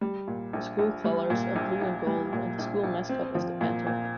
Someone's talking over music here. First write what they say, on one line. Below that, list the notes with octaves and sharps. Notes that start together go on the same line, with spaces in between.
The school colors are blue and gold, and the school mascot is the Panther.
G3
A#2
A#1
A#1
G3
A#2
A#1
A#1
G3
A#2
A#1
A#1
C4
F3
A#2
A#2